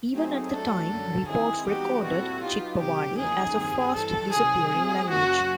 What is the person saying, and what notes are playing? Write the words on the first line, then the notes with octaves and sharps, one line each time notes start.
Even at that time, reports recorded Chitpavani as a fast disappearing language.
F#3 A3 C4 D#4 G#4
F#3 A3 D4 A4
F#2 D3 F#3
D#3 G#3 C4 E4 G#4
E3 G3 B3 D#4 F#4 G4
A#2 G3 C4 E4 F#4 A4
F#3 B3 D#4 F4 G4
C3 D#3 F#3 G4
E2 C#3 F3 A#3 D#4 G#4
G2 D#3 G3 C4
G2 E3 G3 A4
C3 D#3 F#3 G#4
G#3 C4 F4
F#2 C#3 F#3 A#3 C#4 F#4